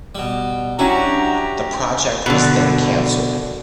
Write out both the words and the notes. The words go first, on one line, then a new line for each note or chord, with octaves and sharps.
The project was then cancelled.
B2 G3
F#3 C#4 D4 E4 F#4 G4 A#5
B2 D3